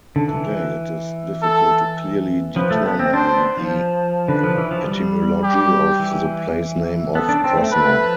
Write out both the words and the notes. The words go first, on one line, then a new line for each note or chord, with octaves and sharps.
Today it is difficult to clearly determine the etymology of the place-name of Krosno.
D3
E3
A4
F3 B4
A3
B3
C4
D4 C5
B3
F3
D3 B4
F3
E3
F3
G3
G4
E3
B3 A4
D4
C4
A3
A3 B4
F3